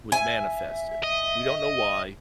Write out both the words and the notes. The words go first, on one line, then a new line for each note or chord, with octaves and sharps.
was manifested. We don't know why.
E5 G#5
D#5